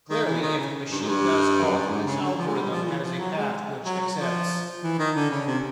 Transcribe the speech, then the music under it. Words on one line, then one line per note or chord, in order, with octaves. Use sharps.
Clearly, if the machine does halt, this algorithm has a path which accepts.
D#3
E3
D#3
C#3
G2
G#2
G2
F#2
G2
G#2
C#3
D3
F3
G#3
G3
F3
E3
F3
F#3
G#3
F#3
F#3
F3
E3
D#3
D3
C#3
C3